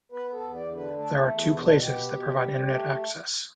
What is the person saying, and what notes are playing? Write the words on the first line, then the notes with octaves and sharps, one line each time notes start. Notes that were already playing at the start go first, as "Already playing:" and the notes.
There are two places that provide Internet access.
B3 B4
A4
E2
D5
D3
B4
A3 A4
E4
E2
E4
B2
D4
B3 G4
B2
G3
A3